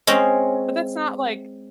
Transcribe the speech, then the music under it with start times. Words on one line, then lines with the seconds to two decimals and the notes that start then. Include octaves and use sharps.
But, that's not like
0.07 G#3 C4 C#4